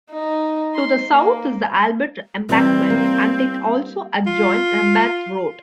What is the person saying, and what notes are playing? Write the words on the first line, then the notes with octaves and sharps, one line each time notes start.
To the south is the Albert Embankment and it also adjoins Lambeth Road.
D#4
C6
A#3
E3 G3 C4 E4
A#3
F4